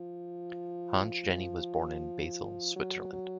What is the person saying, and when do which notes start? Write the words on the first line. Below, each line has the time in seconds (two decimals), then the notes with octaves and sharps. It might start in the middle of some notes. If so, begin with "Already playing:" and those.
Hans Jenny was born in Basel, Switzerland.
Already playing: F3
1.31 F3
2.76 F#3
3.12 F#3